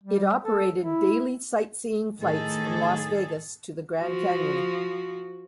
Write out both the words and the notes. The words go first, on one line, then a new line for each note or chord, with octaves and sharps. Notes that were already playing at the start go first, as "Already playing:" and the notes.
It operated daily sightseeing flights from Las Vegas to the Grand Canyon.
G3
A4
E4
A2 D#3 G#4 A4
F3 F#4